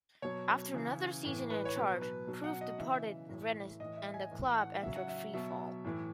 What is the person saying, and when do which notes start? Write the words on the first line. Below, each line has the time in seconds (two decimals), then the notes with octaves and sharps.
After another season in charge, Prouff departed Rennes and the club entered free-fall.
0.22 B2 F#3 C#5
0.74 C#3 E3
1.25 A2 E3
1.50 B4
1.65 C#5
1.76 B2 F#3 B4
2.01 B4
2.27 B2 F#3
2.44 F#5
2.61 D#5
2.78 C#3 E3 E5
3.29 A2 E3
3.80 A2 E3 D#5
3.97 E5
4.14 G#5
4.31 A2 E3
4.57 F#5
4.82 C#3 F#3 E5
4.96 F#5
5.09 E5
5.34 B2 F#3 E5
5.85 A2 E3